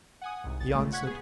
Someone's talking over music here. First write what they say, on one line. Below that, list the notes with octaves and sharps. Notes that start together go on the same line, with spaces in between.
He answered.
F#5 G#5 D#6
C2 G#2
A1 A6
A#2 C#3 G#3 A3
F#5 C#6 F#6 G#6 B6
B3 G#4